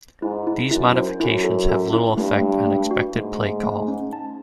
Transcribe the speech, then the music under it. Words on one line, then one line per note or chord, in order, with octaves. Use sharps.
These modifications have little effect on expected play call.
G#2 E4
E4
F#2 E4
C5
F#2 E4
A4
A4
E4
G2 A3
A3
A3
F#4
G#2 A3
A3
A3
C#4
A5